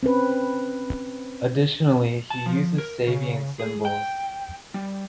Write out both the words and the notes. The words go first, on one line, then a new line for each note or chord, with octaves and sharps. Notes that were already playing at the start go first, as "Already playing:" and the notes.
Additionally, he uses Sabian cymbals.
C4 C#4 B4
A5
F3
A#4
C#3
G#4
G5
G3